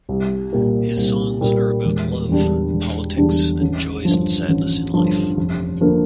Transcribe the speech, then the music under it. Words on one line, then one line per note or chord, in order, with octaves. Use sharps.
His songs are about love, politics and joys and sadness in life.
C2
A#2 G3 A#3
C2
A#2 G3 A#3
E1
E2 D3 G3 D4
E1
E2 D3 G3 D4
A1
G2 D3 F3
A1
G2 D3 F3
F1
D3 F3 A#3